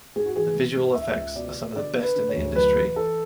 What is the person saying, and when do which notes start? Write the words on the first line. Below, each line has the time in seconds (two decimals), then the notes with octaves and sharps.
The visual effects are some of the best in the industry.
0.16 G#2 G#4
0.26 F#4
0.36 E3 G#4
0.55 G#2
0.76 G#2
0.95 C#2 E5
1.15 C#2
1.36 B2 D5
1.56 B2
1.76 D3 D5
1.96 D3
2.03 B4
2.16 D3
2.29 C#5
2.36 D2
2.55 F#2 B4
2.76 E3
2.85 B4
2.96 E3 A4